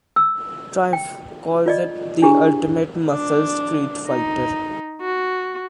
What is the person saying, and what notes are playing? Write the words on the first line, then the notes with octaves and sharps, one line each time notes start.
Triumph calls it "the ultimate muscle streetfighter".
E6
G5
F4 D5 D#5
D4 E4 G4 G#4
D4
D#4
F#4